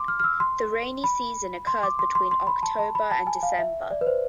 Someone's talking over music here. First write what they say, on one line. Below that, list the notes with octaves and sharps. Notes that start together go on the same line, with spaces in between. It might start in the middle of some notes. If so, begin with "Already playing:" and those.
The rainy season occurs between October and December.
Already playing: C6 D6
F6
F6
E6
C6
B5
C6
D6
C6
C6
C6
B5
A5
A5
B5
A5
G#5
F5
E5
D5
B4
C5